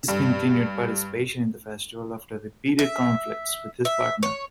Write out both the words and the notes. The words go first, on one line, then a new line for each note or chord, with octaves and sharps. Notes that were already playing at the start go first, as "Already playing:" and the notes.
He discontinued participation in the festival after repeated conflicts with his partner.
G2
E5
E5
C#5